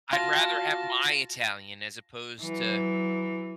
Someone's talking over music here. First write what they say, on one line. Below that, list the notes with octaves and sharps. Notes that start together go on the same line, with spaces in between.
I'd rather have my Italian as opposed to
F4 F#4 A5 A#6
E3 F#3